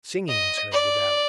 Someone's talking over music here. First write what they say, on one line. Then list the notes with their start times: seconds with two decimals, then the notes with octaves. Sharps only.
Singing is heard without.
0.28 D#5
0.72 D5